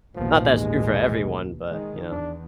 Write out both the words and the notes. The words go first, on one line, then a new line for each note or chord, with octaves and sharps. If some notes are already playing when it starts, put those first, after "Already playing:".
Not that it's true for everyone, but, you know,
A1 D#2 B2 F3
G#3
D#3 G#3
E2 D4